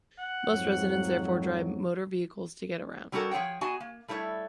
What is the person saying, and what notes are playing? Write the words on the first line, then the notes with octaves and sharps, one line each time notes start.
Most residents therefore drive motor vehicles to get around.
F#5
F2 G#2 F#3
F#3 G3 C#4 F#4 A4 A#4
F3 G#4 C#5 F#5 G5
B3 F#4 G#4 D#5 G#5
A#3
G3 A3 E4 B4 C#5